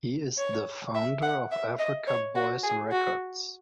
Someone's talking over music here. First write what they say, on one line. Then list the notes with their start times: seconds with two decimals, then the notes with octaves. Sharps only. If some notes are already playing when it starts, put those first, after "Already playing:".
He is the founder of Africa boyz records.
0.38 C#5
0.95 E5
1.22 F#5
1.51 E5
1.79 D#5
2.07 C#5
2.36 F#4
2.63 G#4
2.91 F#4